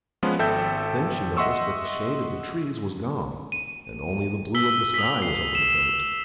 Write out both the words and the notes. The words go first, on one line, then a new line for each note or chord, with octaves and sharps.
Then she noticed that the shade of the trees was gone and only the blue of the sky was over the boat.
F3 G#3 B3 C#4 B4
G#1 A4 E5 G5 G6
D#5 E5 F#5 C6 C#6 E6
D#7
E6 B6 G7
D#6 B6
C7
E7